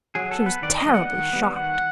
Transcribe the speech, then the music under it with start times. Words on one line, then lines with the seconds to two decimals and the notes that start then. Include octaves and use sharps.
She was terribly shocked.
0.15 F#3 G#4
0.31 A4
0.39 B3
0.46 B4
0.62 D#3 D5
0.78 D#5
0.86 G3 B3
0.94 F#5
1.10 D#3
1.33 G3 B3
1.56 D#3 F#5